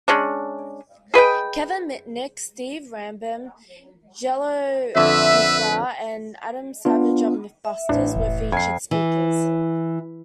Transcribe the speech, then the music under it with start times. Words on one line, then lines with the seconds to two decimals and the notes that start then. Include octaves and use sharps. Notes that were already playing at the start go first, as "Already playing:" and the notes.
Kevin Mitnick, Steve Rambam, Jello Biafra, and Adam Savage of "MythBusters" were featured speakers.
0.08 G#3 C#4 D4
1.14 G#4 B4 D#5 G5
4.96 F2 D3 B4 E5
6.85 B3 D4 F4
7.65 E5
7.89 A1 D4
8.16 E1
8.52 F2 G#6 C7
8.91 E3